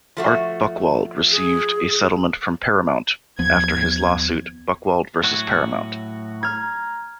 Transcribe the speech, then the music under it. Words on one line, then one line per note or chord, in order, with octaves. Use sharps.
Art Buchwald received a settlement from Paramount after his lawsuit "Buchwald versus Paramount".
F3 A3 F#4
G#4
D#2 F3 B3 G#6
A2 F#3 F#4
A#5 F6 G#6